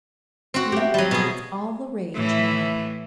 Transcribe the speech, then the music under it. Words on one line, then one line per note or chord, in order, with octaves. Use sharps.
You know that's all the rage now.
C4 F#4
G4 E5
F#3 G3
B2 G#4
A2 E3